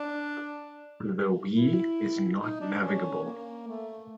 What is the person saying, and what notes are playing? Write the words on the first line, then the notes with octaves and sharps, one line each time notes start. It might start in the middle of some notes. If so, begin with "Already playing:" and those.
The Ui is not navigable.
Already playing: D4
E4
D#4
D4
C#4
A#3
A3